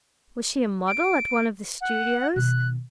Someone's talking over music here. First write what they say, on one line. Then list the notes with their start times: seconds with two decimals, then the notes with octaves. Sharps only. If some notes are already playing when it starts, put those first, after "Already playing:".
Was she a model at one of the studios?
0.88 D7
1.81 F#5
2.36 B2 D#3 F#6